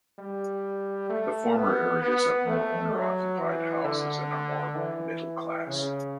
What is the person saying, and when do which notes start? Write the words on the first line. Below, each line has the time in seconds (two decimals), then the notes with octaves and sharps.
The former areas have more owner-occupied houses and are more middle-class.
0.19 G3
1.10 A3
1.55 B3
2.02 B3
2.47 A3
2.93 F#3
3.38 E3
3.85 D3
4.76 E3
5.67 C#3